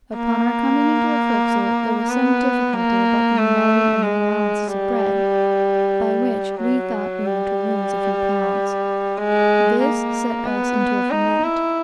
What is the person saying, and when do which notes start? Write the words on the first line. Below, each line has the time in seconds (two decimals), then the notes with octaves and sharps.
Upon our coming into the forecastle, there was some difficulty about the uniting of the allowances of bread, by which we thought we were to lose a few pounds. This set us into a ferment.
0.17 A#3
2.10 B3
2.74 A#3
3.38 A3
4.03 G#3
4.67 G3
6.60 F#3
7.25 G3
9.18 G#3
9.82 A#3
10.47 B3
11.11 D#4
11.44 E4